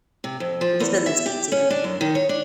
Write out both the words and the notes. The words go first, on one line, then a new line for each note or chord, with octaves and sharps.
It just doesn't speak to ya.
C3
F2
F3
E2
E5
G4
C#4
D4
F#2
D#3
C#5
D4